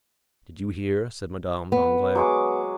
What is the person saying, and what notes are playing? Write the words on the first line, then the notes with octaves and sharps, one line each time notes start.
"Did you hear?" said Madame Danglars.
B3
F#3 G#3 D6